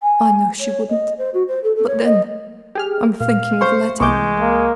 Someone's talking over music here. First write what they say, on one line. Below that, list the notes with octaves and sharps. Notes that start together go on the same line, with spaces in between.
"I know she wouldn't; but, then, I'm thinking of Letty."
G#5
C#5
D#5
C5
F#4
C5
A4
A4
C#5
D#5
G4 G#4 F6
A#2 F5
C5 C6 C#6
C2 E3 G#3 C#6 D6 G6
A#3